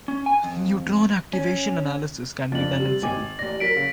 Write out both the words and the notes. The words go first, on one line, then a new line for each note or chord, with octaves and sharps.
Neutron activation analysis can be done in situ.
C#4
G#5
F2
C#4
F2 D3 D5 A6 F#7
C3 G3
G#1 G#5 D6
A1 D5 A#6
F#3 A#4 B6 D7
C#3